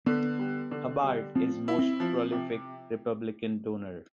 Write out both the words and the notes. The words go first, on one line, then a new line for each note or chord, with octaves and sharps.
Hubbard is a most prolific Republican donor.
D3 B3
G3
D3
G3
F3 C4
E4
C4
F3
C3